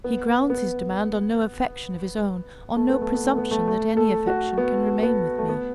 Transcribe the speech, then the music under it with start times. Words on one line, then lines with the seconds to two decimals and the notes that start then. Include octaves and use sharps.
He grounds his demand on no affection of his own, on no presumption that any affection can remain with me.
0.04 B3
0.50 B3
2.76 A3
2.89 B3
3.02 A3
3.14 B3
3.25 A3
3.38 B3
3.51 A3
3.68 A3
3.97 A4
4.27 F#4
4.58 B3
5.03 B3
5.38 A3
5.49 B3